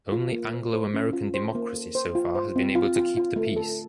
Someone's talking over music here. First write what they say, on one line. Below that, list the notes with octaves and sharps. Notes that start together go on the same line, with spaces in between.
Only Anglo-American democracy, so far, has been able to keep the peace.
F4
A#3
C5
C5
C#4
F4
C5
A#3
A4
C5
F4
C5
C4
F4
F4
F4
A3
A4